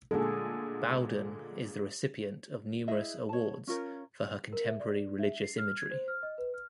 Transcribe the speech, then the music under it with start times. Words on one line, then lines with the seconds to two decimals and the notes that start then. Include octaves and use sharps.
Bowden is the recipient of numerous awards for her contemporary religious imagery.
0.11 A#2 D3 G#3 G#4 A4
2.88 E4 G#4 D#5 E5
3.29 C#5 A5
3.67 C#4 F4 A#4 C#5
4.53 A#4
4.67 E5
4.80 D5
5.19 E5
5.43 C7
5.58 F6
5.77 G#6
5.91 C5
6.08 F6
6.23 D#5
6.38 B4
6.54 F6